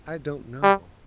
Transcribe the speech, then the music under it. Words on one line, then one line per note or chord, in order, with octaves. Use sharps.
I don't know.'
G3